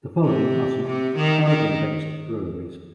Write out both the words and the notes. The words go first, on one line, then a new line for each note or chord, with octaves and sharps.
The following are some Oregon-based breweries.
C3
C3
D#3
D#3